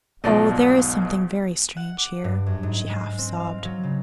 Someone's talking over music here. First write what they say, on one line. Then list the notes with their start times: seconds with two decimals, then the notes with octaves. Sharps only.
"Oh, there is something very strange here," she half sobbed.
0.24 B1 G#2 B2 F3 D5 D#5
1.77 F#5
1.98 D6
2.24 G2
2.46 F#2
2.63 G#2
2.90 G#3
3.18 C4
3.40 F5
3.65 F#3
3.83 C#3